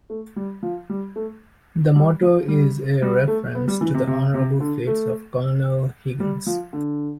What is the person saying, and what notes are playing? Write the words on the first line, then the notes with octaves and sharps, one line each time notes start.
The motto is a reference to the honorable feats of Colonel Higgins.
A3
G3
F3
G3
A3
G3
F3
G3
G3
A3
B3
G3
E3
C3
C3
C3
D3
A3
G3
F3
D3